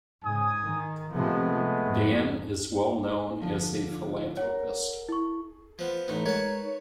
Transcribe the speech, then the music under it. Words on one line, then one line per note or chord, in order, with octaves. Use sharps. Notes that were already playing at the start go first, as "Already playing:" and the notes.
Dan is well known as a philanthropist.
G#2 C#3 G#5 D#6
D#3
C3 F3 G#3 A3 B3
F2 G#2
D3 F3
A#4 C#5 F#5
E4 C#6
F3 B3 F4
A1 B3 D#4
G#3 A#4 B4 C#5 A5